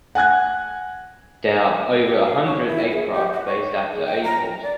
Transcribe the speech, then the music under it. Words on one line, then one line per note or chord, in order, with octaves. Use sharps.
There are over a hundred aircraft based at the airport.
F#5 G#5 F#6 G#6
G4
F5
C#5
E4
G#4
G4
F#5
C#5
G#4
G5
A#5
D5